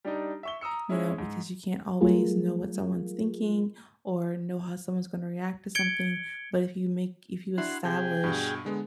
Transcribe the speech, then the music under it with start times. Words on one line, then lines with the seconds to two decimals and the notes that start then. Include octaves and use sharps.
you know, because you can't always know what someone's thinking, or know how someone's gonna react to something, but, if you make if you establish,
0.05 G3 D4 D#4
0.43 E5 C#6 G7
0.61 A#5 D#6 E6 C#7
0.89 G#3 C#4 E4
1.18 G#2
2.01 F#3 G3 A3 F4 G#4 A#4
5.75 G#6 C#7 D7 G7
7.58 D4 E4 F#4 F#5 C6
7.85 C3 G#4 G5
8.24 G2 B2
8.65 D3 G#3 B3